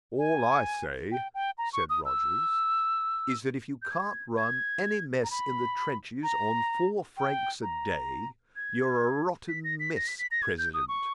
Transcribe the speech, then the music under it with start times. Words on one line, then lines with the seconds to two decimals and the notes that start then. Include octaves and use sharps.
"All I say," said Rogers, "is that, if you can't run any mess in the trenches on four francs a day, you're a rotten mess president."
0.19 G#5
1.12 G5
1.35 G5
1.58 A#5
1.73 C#6
1.90 D#6
2.05 E6
3.82 G6
3.91 G#6
4.37 G#6
5.24 A#5
5.31 B5
6.23 A#5
7.17 G5
7.62 A#5
8.56 G#6
9.49 B6
9.64 A#6
9.80 B6
9.96 A#6
10.07 B6
10.19 B6
10.31 A#6
10.42 G#6
10.58 G6
10.74 D#6
10.89 C#6